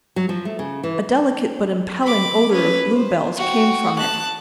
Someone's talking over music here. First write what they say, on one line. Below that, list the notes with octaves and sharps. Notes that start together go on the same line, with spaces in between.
A delicate but impelling odor of bluebells came from it.
F#3
F3
A3
C#3
E3
B5 D6
C#4 B4
C5
F#4 G5
A5 F#6